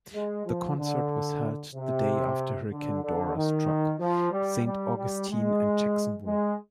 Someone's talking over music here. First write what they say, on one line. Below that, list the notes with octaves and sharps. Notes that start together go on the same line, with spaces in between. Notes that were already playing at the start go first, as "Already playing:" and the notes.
The concert was held the day after Hurricane Dora struck Saint Augustine and Jacksonville.
G#3
F3
D3
C3
D3
D3
D#3
F3
G3
G3
G3
G#3
G#3